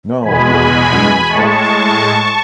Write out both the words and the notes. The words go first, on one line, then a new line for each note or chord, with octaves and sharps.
None of your beeswax.
E2 B2 G#3 G#5 B5
A2 G#3 A5 C#6